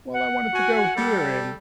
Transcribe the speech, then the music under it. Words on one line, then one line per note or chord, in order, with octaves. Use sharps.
"Well, I wanted to go here and
F#5
F#4 G#5
G3 A4